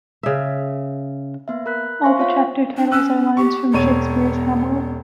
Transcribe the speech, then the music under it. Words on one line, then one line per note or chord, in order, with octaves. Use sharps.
All the chapter titles are lines from Shakespeare's "Hamlet".
C#3 E5
A#3 B3 E5
A#4 B5 F#6 B6
C5 E5 F5 C6 C#6 A#6
F4 C5 C#5 F5 F#5
D4
C#4 E6 F#6
G4 C#6
E1 B3 C#5 D#7